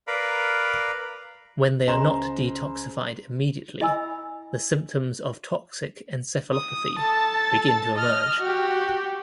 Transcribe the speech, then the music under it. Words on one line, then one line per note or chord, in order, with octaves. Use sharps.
When they are not detoxified immediately, the symptoms of toxic encephalopathy begin to emerge.
A#4 B4 D5 F5 A#5 B5
C#2 C5 D#5 A#5 C6 E7
E4 D#5 G#5 B5 E6
D#6
A4 A5
D#5 F6
F#4 G4